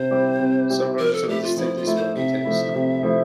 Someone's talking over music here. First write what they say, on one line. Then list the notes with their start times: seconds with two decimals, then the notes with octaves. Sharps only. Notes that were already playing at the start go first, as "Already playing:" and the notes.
Some versions have a distinctly smoky taste.
Already playing: C3 C5
0.11 G3 C4 E4 G4
0.40 C3
0.70 G3 C4 E4 G4
0.99 F3 A#4
1.13 A4
1.27 A3 E4 G4
1.43 F4
1.57 F3 E4
1.77 F4
1.87 A3 E4
1.96 C5
2.16 C3 E5
2.45 F3 A3 E4
2.74 C3
3.03 F3 A3 E4